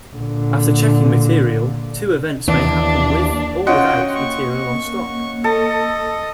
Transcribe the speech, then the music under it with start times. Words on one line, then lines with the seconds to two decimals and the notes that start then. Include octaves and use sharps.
After checking material, two events may happen-with or without material on stock.
0.13 A#2 D3
2.47 D#2 E3 D4
3.67 C#4 F4 F#4 D#5 F#5 G5
4.15 A#3 C#6
5.44 A4 D#5